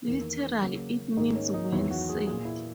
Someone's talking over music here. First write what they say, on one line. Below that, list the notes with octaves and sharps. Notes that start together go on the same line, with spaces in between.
Literally, it means "well said".
E2 D#3 A#3 A#4
C#3 F#3 A#3
G#2 D#3 A#3 D#4
C#4
D#4
E2 D#3 F#3 B3 E4
F#4
G#4
A#2 A#3 G#4
E4